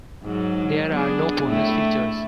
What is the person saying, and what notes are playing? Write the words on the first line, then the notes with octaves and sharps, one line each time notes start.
There are no bonus features.
G#2 F#3
B3 D4 G#4
A2 A3 E4